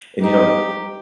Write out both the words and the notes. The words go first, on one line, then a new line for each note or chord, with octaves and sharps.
and, you know
D#4 G4